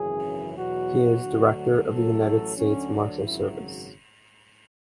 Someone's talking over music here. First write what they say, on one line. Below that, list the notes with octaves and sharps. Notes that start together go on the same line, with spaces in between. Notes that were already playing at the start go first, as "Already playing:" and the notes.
He is Director of the United States Marshals Service.
Already playing: G#1 F#2 C#3 E3 G#4
E2 B2 F#3 F#4
D2 D3 F#3
A1 A2 F#3 A4
D2 D3 F#3 C#4
D4
G#1 F#2 C#3 F#3 E4